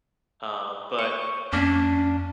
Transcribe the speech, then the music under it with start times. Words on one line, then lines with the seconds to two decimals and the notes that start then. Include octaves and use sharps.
Uh, but
0.98 C#6
1.53 F2 A#3 C#4 D4